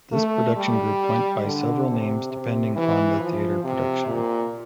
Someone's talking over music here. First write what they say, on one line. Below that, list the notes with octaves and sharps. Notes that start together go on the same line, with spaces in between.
This production group went by several names depending on the theater production.
A3
G3
D3
C3
C3
E3
F3
C3
A#2